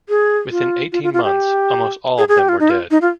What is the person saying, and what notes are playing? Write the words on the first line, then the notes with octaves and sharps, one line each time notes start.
Within eighteen months almost all of them were dead.
G#4
F4
F4
F4
F4
G4
G#4
G#4
G4
F4
D#4
F4
D#4
F4